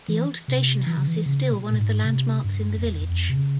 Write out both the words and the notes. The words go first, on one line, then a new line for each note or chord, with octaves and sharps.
The old station house is still one of the landmarks in the village.
E3
C3
E3
C#3
E3
C#3
A#2
A#2
G#2
C3
G2
F2
E2
E2
F2
C3
C#3